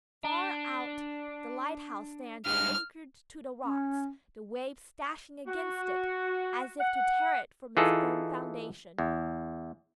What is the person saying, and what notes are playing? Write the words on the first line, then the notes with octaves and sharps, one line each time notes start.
Far out the lighthouse stands anchored to the rocks, the waves dashing against it, as if to tear it from its firm foundation.
D4
G2 G#3 F6
C#4
F#4
F#5
E3 D#4 F4 G#4 A4
E2